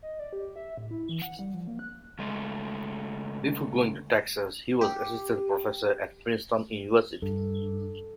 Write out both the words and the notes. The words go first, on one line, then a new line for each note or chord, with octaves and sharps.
Before going to Texas, he was assistant professor at Princeton University.
D#5
D5
G4
E5
A2
E4
E3
F#5
G3
F3
A#3
F#6
C#3 G#3 A3
G4
G2 A4